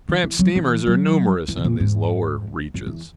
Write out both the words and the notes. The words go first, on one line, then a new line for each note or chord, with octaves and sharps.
Tramp steamers are numerous, on these lower reaches.
D#3
E3
F#3
E3
F#3
E3
B2
A#2
G#2
F#2
E2